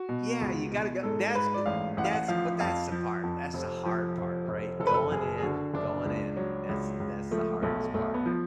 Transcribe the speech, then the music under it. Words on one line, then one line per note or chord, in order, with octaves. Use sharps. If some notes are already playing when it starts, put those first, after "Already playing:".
Yeah, you gotta g that's th that's but that's the part that's the hard part, right? Going in going in. That's the that's the hardest part.
Already playing: F#4
B2
C#2
B2
G#2 A4
G#2 B4
D5
A1 F5
A1 F#5
F5
F#5
F3 F5
F2 F5
F3
F2
F1
F3
F1
F1
F#1 A4
B4
A4
F#1 G#4
G#4
D3 F#4
F#1 D4
C#2
F#3
C#2
C#2
F3 A3
B1 A3
B1 A3
B3
F3